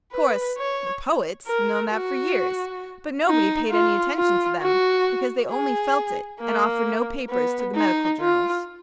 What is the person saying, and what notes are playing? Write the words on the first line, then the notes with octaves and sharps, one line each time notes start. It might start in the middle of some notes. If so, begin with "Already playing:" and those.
Of course, the poets have known that for years, but nobody paid any attention to them because they only felt it and offered no papers to the medical journals.
B4
C#5
A#4
F#4
D#4
F4
F4
F#4
G#4
A#3
B3
D#4
F4